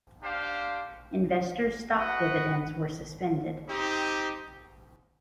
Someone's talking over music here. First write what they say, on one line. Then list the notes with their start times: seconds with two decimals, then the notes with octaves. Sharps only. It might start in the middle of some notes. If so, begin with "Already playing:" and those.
Investors stock dividends were suspended.
0.22 D4 G4 C5 F5
1.96 F#4 B4 D#5 F#5
3.69 C4 D#4 G4